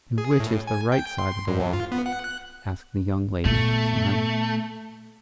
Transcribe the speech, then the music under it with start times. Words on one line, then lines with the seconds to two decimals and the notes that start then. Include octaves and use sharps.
"And which is the right side of the wall?" asked the young lady, smiling.
0.18 G#4
0.40 A2
0.67 G#5
0.92 G5
1.18 C6
1.48 G2
1.60 F2
1.73 F4
1.92 B3
2.06 F#5
2.24 F#6
3.45 A#2 A3 B3